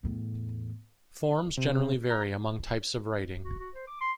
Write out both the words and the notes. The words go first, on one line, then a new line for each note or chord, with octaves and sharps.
Forms generally vary among types of writing.
E2 A2
C3
A#5
F#4
F#4
C5
D6
C6